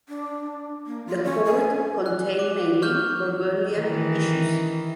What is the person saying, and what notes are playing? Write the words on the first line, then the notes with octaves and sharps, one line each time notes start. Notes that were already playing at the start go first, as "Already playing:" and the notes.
The hoard contained mainly Burgundian issues.
D4
A#3
F4
C#4
G#5
F#6
D6
C#6 F6 G6
D#3 E3